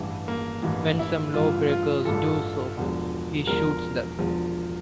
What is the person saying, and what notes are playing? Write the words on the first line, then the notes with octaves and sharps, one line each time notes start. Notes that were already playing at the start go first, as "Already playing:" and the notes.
When some lawbreakers do so, he shoots them.
Already playing: A1 G2 E3 G3
A#3
A1 G2 E3 G3
E4
A1 G2 E3 G3 F4
F4
A1 G2 E3 G3 A4
E1 E2 D3 F3
E1 E2 D3 F3 A#4
E1 E2 D3 F3